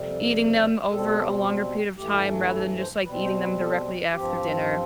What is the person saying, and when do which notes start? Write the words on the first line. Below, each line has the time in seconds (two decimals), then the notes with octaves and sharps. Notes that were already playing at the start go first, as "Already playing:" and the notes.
eating them over a longer period of time rather than just, like, eating them directly after dinner.
Already playing: F2 C3 G3
0.90 B2 G3 C4 A4
1.97 G2 E3 A3 G4
2.47 B4
2.51 A4
2.78 C5
3.04 B2 G3 C4 B4
3.23 C5
3.41 B4
3.59 A4
4.12 G2 F3 C4 G4